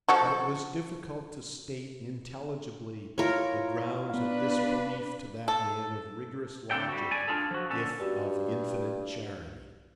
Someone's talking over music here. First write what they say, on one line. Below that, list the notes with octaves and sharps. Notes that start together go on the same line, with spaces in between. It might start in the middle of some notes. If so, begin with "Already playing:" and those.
But it was difficult to state intelligibly the grounds of this belief to that man of rigorous logic, if of infinite charity.
F3 F#4 A4
E4 F4 A#4 C#5
B3 D4 B4 F5
A4
D2 C4 D4 A4 G5
G3 F#4
D5 G#5
D4 F4 G#4 A4
F3 F#4
D3 C#4 A4
G2 F#4 G4